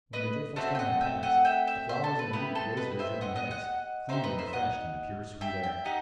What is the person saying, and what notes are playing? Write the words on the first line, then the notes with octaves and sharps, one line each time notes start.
When the dreadful storm had passed, the flowers and the wheat raised their drooping heads, clean and refreshed in the pure, sweet air.
B4 D#5
A3 C4 F#4 C5 E5
G5
D#5 F#5
E5 G5
D#5 F#5
E5 G5
E5 G5
C5 E5
A4 C5
B4
B3 E4 G4 B4
A4 C5
B4 D#5
C5 E5
D#5 F#5
D#5 F#5
D#5 F#5
D#4 G4 C5 E5
B4 D#5
C5 E5
D#5 F#5
E5 G5
E5 G5
D#4 G4 D#5 F#5